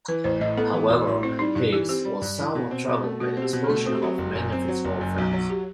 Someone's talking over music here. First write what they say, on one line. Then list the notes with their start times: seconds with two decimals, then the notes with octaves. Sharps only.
However, Higgs was somewhat troubled by the expulsion of many of his old friends.
0.08 E3 B4
0.24 A1 C5
0.41 A2 D#5
0.57 B3 A4
0.73 E3
0.90 A1 F#4
1.07 A2
1.23 C4 E4
1.39 G3 D#4
1.55 G2 E4
1.73 E3 G4
1.89 C4 G4
2.05 G3
2.22 G2
2.38 E3
2.55 B2
2.71 C4
2.88 B2
3.03 A3
3.20 B2 F#4
3.37 C4
3.42 G4
3.53 B2
3.64 A4
3.70 A3
3.85 C4 F#4
3.95 G4
4.02 F#3 F#4
4.18 F#1
4.35 F#2
4.52 C4
4.68 F#3
4.85 F#1
5.01 F#2
5.17 B1 F#4
5.33 F#3
5.50 G4